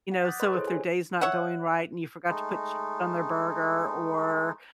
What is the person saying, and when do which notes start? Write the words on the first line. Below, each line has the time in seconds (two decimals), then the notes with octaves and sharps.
You know, so if their day is not going right and you forgot to put cheese on their burger, or,
0.12 F#5 B6
0.25 D6 D#6 F#6 G6 A6
0.40 B4 D#5 B5 C6 F#6
0.53 E4 G#4 A4 C5 C#5
0.67 G4 G#5
1.21 C#5 E5 F#5
2.29 G#3 A3 D#4